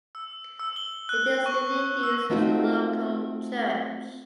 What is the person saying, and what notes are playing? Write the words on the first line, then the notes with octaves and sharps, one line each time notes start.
It is still in use as the local church.
E6
E6
G7
F#6
F#6
C#6
E6
A3 C4 D#4 F4 F#4